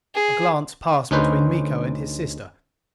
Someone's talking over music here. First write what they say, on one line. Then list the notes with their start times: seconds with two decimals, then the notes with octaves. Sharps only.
A glance passed between Miko and his sister.
0.15 G#4
1.11 D2 C#4 D#4 B4 C5